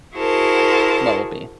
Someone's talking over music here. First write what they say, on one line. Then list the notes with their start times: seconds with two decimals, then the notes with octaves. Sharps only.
What would be?
0.15 E4 F#4 G#4 A#4 C5 A5